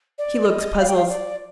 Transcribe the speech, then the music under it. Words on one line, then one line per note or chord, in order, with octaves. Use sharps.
He looks puzzled.
D5
D#5
F5
G5
F5
D5